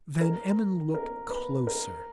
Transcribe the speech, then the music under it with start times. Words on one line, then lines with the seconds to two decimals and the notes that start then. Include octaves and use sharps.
Van Emmon looked closer.
0.21 A#4
0.94 A#4
1.30 B4
1.67 A#4